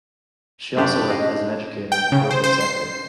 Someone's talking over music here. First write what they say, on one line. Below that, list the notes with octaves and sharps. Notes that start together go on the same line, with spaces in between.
She also worked as an educator in the corporate sector.
F#2 C#3 D4 G4
D#5 F5
G5
C#3
C5
C5
C7